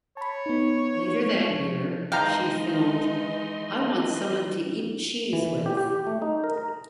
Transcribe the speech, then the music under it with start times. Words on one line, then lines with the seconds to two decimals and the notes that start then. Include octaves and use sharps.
Later that same year, she filmed "I Want Someone to Eat Cheese With".
0.17 C#5 A5 B5
0.46 B3 D#4
1.26 G#3
1.54 F3
2.12 E3 G#3 D#4 D#5 F5 G5 A#5 C6
5.33 E3
5.66 G4
5.77 G4
6.07 A3
6.22 D#4
6.44 A#4
6.58 A#5